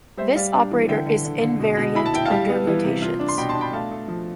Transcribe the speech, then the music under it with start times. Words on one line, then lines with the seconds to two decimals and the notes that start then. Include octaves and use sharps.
This operator is invariant under rotations.
0.17 G3 C5 E5
0.35 G3 D5 F5
0.54 D4
0.71 E3
0.88 D3 E5 G5
1.06 D3
1.25 D3
1.42 D3
1.59 B2
1.77 B2
1.95 E4 B5
2.06 A5
2.14 E4 G5
2.25 F5 A5
2.31 G3
2.49 B3
2.67 E3
2.84 C3
3.02 F4
3.20 D4
3.28 C6
3.38 B2 G5 B5
3.49 A5 C6
3.55 D4
3.61 G5 B5
3.72 A3 F5 A5
3.91 A3
4.08 F3